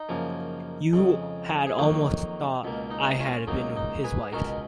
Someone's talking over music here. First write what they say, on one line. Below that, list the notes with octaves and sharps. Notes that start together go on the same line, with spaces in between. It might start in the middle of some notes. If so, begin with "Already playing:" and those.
You had almost thought I had been his wife.
Already playing: D#4
F#2 C#3 F3 A#3
F2 C#3 G#3
G#4
F2 D#3 F#3 A#3 D#4 F#4
C#2 B2 A#3
D#4
C#4 F4
C#2 C#3 F#3 A#3 D#4
D#4
G#4 B4
C#2 B2 G#3 F#4 A#4